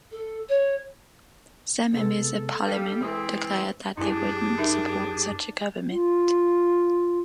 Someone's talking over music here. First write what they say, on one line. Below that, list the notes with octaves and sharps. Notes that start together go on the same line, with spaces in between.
Some members of parliament declared that they wouldn't support such a government.
A4
C#5
C3 G#3 B3 A4
G3 F5
E3 G#3 C4 D#6
F#2 D4 E4 G4 G#4 G#5
D#4 A#4 E5
F4